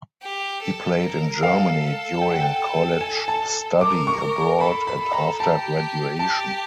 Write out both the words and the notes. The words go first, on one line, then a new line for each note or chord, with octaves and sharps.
He played in Germany during college study abroad and after graduation.
G4
A4
A#4
A4 F5
G5
F#5
G5
G#5
A5
A#4 D6
C#6
A4 B5
B5
A4
A#5
G4 A5
G4 A5